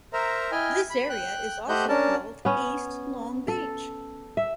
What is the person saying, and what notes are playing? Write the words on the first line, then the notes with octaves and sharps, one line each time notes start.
This area is also called East Long Beach.
A#4 C5 E5 A#5
E4 D#5 G5 G#5 F6
B5
G5 F#6
A3 G4 C5 D#5 F#5 G6
C#4 D4 A#4 A5
B3 C#4
A4
E5